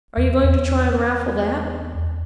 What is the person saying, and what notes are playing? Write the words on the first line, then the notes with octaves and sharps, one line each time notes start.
"Are you going to try and raffle that?"
E2
E2